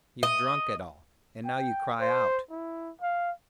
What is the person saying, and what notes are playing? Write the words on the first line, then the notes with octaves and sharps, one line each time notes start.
You've drunk it all and now you cry out.
D#5
G5
C5
E4
F5